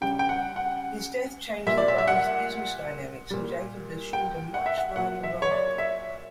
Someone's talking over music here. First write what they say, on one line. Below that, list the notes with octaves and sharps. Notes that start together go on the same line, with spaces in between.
His death changed the brother's business dynamics and Jacob assumed a much larger role.
C#3 G3 G5
G5
F#5
F#5
A#2 G3 E5
D5
E5
E5
F#5
A#2 G3
G5
F#5
E5
F#5
A#2 F#3 F#5
E5
C#5
D5
E5